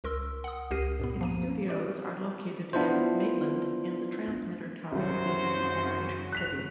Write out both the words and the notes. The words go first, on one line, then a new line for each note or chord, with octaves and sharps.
Its studios are located in Maitland and the transmitter tower is in Orange City.
C#2 A#4 C6 E6
F#5 D#6
C#2 G4 A#4 C7 D#7
G2 A#2 B3
F3 A#3 D#7
G4 D5
B3 D4 E4 F4 C5
C2 F#2 C#3 F#3 F#4 C5
F#6 B6 F7